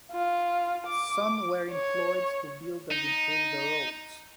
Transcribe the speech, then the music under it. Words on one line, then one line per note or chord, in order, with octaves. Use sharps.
Some were employed to build and improve the roads.
F4
D6
C#5
D#4